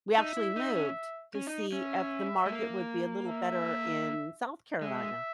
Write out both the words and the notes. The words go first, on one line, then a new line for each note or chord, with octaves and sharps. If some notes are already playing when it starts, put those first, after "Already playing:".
we actually moved to see if the market would be a little better in South Carolina.
D#4 E5
E4
D#4
C#4
C#4
D#4
C#4 E5
G#3
A#3
E5
G#3 E5